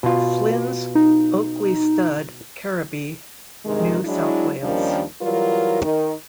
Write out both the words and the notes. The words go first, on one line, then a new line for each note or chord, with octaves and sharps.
Flynn's Oakleigh Stud, Kerrabee, New South Wales.
B2 F4
D#4
G2 C3 D#3 G#3
F#3 G#3 D4 E4
D#2 D#3 F3 G3 C#4 D4
E3 F#3 G3 F4 A#4
D#3